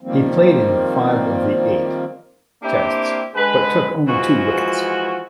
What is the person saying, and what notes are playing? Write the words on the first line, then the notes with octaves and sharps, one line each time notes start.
He played in five of the eight Tests but took only two wickets.
D#3 F3 G3 A#3 C4
A#3 C4 D4 E4 G4
D3 G#3 G#4 B4
E3 F3 G#3 F#4